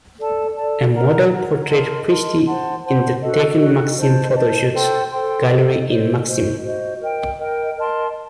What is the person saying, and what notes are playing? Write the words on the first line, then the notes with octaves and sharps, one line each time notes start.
A model portrayed Christie in the "Tekken Maxim Photoshoot" gallery in "Maxim".
A4 D5 A5
A4 D5 A5
A#4 F#5 A#5
A#4 F#5 A#5
A#4 D#5 A5 C6
A#4 D#5 A5 C6
C5 F#5 A5 C6
C5 F#5 A5 C6
D4 F#4 A4 D#5
D4 F#4 A4 D#5
C5 D#5 A5
C5 D#5 A5
A4 C5 G5 C6
A4 C5 G5 C6
A4 C5 D#5
A4 C5 D#5
F#4 C5 D#5
F#4 C5 D#5
A#4 D#5 G5
A#4 D#5 G5
A#4 D#5 A5 C6